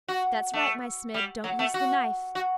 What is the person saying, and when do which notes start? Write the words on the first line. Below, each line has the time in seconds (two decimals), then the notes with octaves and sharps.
That's right, my Smid, don't use the knife!
0.08 F#4
0.53 A3
1.14 G3
1.44 F#3
1.59 A3
1.74 F#4
2.35 F#4